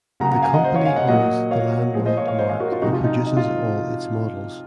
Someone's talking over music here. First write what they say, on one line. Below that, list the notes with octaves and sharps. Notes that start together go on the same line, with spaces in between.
The company owns the Landwind marque and produces all its models.
C#3 F#3 A#3 F#5 A#5
F#5 A#5
F5 G#5
D#5 F#5
C5 D#5
C#5 F5
F5 G#5
D#5 F#5
A#2 F#3 A#3 D#5 F#5
C#5 F5
A#2 F3 G#3 G#4 C5
C5 D#5
C#5 F5
C#5 F5
C5 D#5
F5 G#5
F#4 A#4
F4
C3 F3 G#3 D#4 F#4
F4
D#4
D#4
D#4
F4